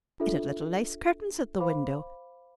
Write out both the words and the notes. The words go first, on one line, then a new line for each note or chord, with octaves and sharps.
It had little lace curtains at the window.
D4 F4 A4 E5
C5 F5 B5 D6